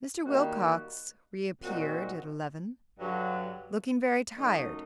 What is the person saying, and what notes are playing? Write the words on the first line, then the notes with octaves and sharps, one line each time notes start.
Mr. Wilcox reappeared at eleven, looking very tired.
D#3 G3 A#3 D#4 F#4
A#2 F#3 C4 D#4 F#4
G2 D3 F#3
F#2 F#3 A3 D#4